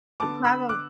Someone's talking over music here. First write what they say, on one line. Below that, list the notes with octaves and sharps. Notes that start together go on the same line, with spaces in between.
The problem
D3 B3 A5 D6
B5 E6
D6 F#6